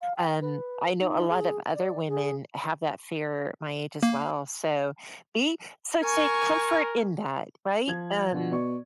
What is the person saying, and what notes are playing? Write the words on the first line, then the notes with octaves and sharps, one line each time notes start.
um, I know a lot of other women have that fear at my age as well. So, be so take comfort in that. Right? Um,
F5
G5
B4
D#4
G#4
D5
G#4
A#3
A#4 G#5 C#6
F3 G#6
B2 D3 F#4
B2 D5 C#6